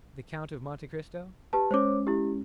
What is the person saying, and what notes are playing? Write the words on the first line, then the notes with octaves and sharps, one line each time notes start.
"The Count of Monte Cristo?"
G4 B4 A5
G#3 C#4 C5 C#5 D6
E4 G4